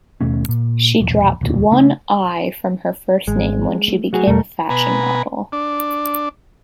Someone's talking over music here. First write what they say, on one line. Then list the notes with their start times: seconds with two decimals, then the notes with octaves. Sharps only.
She dropped one 'l' from her first name when she became a fashion model.
0.21 D#2 B2 A3 C#4
0.49 A#2
1.00 E1 A#1
1.41 E1 D2 A#2
1.72 C#3 A3 C4 D4
3.27 G#1 G#3
3.88 A3
4.13 F#3 F#4 G#4
4.27 E2 B2 A3 A#4
4.70 B2 B4 G#5 A#5
5.52 D4